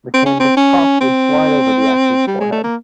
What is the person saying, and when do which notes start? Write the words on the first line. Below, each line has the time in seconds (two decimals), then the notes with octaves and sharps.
The canvas top would slide over the actor's forehead.
0.14 C4
0.26 C#4
0.40 C4
0.57 C#4
1.01 C4
2.27 G3
2.40 G#3
2.52 A3
2.64 A#3